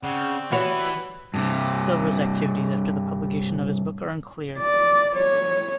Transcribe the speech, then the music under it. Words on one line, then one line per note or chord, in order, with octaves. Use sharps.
Silver's activities after the publication of his book are unclear.
C#3 C4 D5 F#5 G5
E3 G3 B3 F#4 B4 C#5 B5
G2 C3
D5
C#5